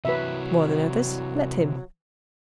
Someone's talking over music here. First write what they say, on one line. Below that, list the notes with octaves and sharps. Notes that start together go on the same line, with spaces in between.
"More than others--let him."
C3 E3 F#3 E4 B4 E5